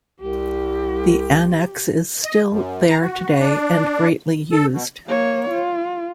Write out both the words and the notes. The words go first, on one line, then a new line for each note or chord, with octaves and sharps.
The annexe is still there today and greatly used.
C2 G4
D#5
F#2
A#5
F#4
D4
A4
B2
A#3 C#5
F4